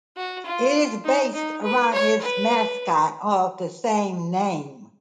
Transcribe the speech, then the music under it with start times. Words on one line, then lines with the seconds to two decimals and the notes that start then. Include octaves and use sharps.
It is based around its mascot of the same name.
0.17 F#4
0.45 F4
1.04 D#4
1.34 D#4
1.63 B4
1.93 C#5
2.22 B4